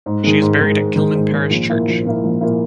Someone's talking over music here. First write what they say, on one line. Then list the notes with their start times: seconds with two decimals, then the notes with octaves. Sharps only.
She is buried at Kilmun Parish Church.
0.06 G#2
0.24 D#3 G#3
0.42 G#2
0.60 D#3 G#3
0.78 G#2
0.96 D#3 G#3
1.15 G#2
1.32 D#3 G#3
1.50 A#1
1.69 A#2 A#3 E4
1.88 A#1
2.05 A#2 A#3 E4
2.23 A#1
2.41 A#2 A#3 E4